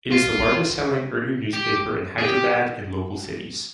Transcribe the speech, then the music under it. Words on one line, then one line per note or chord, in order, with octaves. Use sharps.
It is the largest selling Urdu newspaper in Hyderabad and local Cities.
F4
G4
G#4
G4